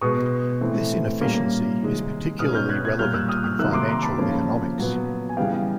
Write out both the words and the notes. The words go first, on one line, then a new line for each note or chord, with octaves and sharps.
This inefficiency is particularly relevant in financial economics.
B2 G#3 B3 C#6 D#6
A2 E3 A3 C4
A#2 G3 A#3 C#4
C3 D#3 G#3
B2 G#3 C#4 D#6 F6
F6 G6
F#6 G#6
F#6 G#6
A#2 G3 A#3 F6 G6
E6 F#6
D#6 F6
D#6 F6
C3 D#3 F#3 A#3 E6 F#6
C6 D6
A#5 C6
A5 B5
C#3 F3 A#3 C#4
A#2 F#3 B3
G#5
C#3 E3 G3 B3 F5 G5